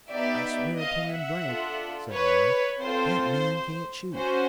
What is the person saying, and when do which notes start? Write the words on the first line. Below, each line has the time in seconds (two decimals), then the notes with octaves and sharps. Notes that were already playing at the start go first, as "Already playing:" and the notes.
"I swear poin' blank," said one, "that man can't shoot."
0.11 B3 D#4 G4 D5 E5
0.78 D#5 F5
1.12 E5 F#5
1.46 D4 F4 A4
2.13 B4 C#5
2.80 C4 F4 A4 C5
4.14 C#4 F#4 C5